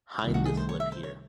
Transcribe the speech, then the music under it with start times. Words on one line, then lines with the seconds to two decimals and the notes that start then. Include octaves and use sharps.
Hindus live here.
0.23 C2 C3 D#3 A3
0.34 F#4
0.45 G#4
0.57 C5
0.69 C#5
0.80 E5
0.92 C5
1.03 C#5